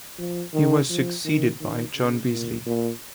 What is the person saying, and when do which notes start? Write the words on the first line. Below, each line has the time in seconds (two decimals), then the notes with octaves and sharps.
He was succeeded by John Beazley.
0.18 F3
0.53 D#3
0.90 F3
1.24 D#3
1.60 D#3
1.95 C#3
2.31 A#2
2.66 A#2